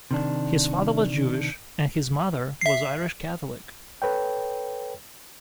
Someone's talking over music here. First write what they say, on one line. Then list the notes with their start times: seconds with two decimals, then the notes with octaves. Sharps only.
His father was Jewish and his mother was Irish Catholic.
0.11 C3 D#3 D4
2.61 E5 C7
4.02 A4 B4 C#5 G5